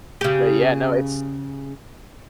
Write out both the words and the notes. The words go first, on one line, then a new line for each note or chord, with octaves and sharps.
But yeah, no, it's
C#3 G4